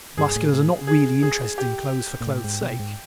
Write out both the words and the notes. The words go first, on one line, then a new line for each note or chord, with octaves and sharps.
Musculars are not really interested in clothes for clothes' sake.
G2 G#4
A2
A2
G#4
G#4
G4
A#2
A2
G#2
B2
G#2